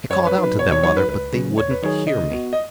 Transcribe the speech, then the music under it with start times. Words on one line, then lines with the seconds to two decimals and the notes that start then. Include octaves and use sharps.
"I called out to them, mother, but they wouldn't hear me."
0.10 F#2 C#5
0.27 B4
0.35 F#3 D#4
0.44 B4
0.59 B2 C#5
0.72 C#5
0.83 F#3 D#4 F#4 C#5
0.97 B4
1.08 C#2 B4
1.33 C#3 F#3 C#4
1.58 D#2 C#5
1.71 B4
1.83 D#3 F#3 D#4 G#4 C#5
2.07 C#3 D#5
2.31 B3 F#4
2.53 D#5